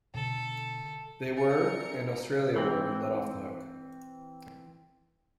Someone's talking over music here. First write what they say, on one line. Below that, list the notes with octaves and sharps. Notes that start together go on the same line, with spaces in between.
They were - and Australia were let off the hook.
B2 D3 A4
C3 D4 A#4 G#5 A6 C#7
E3 C4